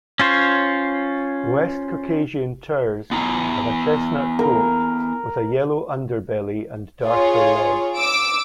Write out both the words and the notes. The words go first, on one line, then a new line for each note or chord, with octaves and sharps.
West Caucasian turs have a chestnut coat with a yellow underbelly and darker legs.
C#4 F4 C5 C#5
B3 E4 A#5
A#4
F4 G#4 C#5
D6 E6 D7